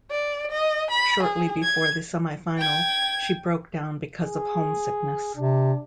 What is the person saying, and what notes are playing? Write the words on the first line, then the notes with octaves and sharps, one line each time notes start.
Shortly before the semi-final, she broke down because of homesickness.
D5
D#5
B5
G#4
G#6
G5 G#6
G#4
C3 D4